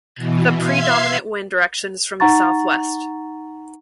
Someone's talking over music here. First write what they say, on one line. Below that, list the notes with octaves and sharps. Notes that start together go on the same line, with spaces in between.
The predominant wind direction is from the south-west.
B2 E3
E5 F5 C6 G#6 C7
D#4 F#5 A#5 C#6 A6